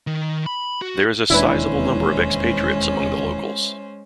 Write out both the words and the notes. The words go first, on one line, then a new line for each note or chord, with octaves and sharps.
There is a sizeable number of expatriates among the locals.
D#3
B5
F#4
E1 D#2 G#3 C#4 D4 E4 B4 C5